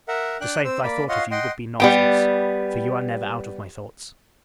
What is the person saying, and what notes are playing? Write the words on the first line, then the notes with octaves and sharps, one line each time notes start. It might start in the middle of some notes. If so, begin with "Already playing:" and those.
To say that I thought of you, would be nonsense; for, you are never out of my thoughts.
A#4 E5 F#5
D4 G5 F#6
C4 C5 E6
A#3 D5 B5
F4 C#5 D#5 F5 F#5 C6
D#5 F#5 G5 C6
G3 B3 G5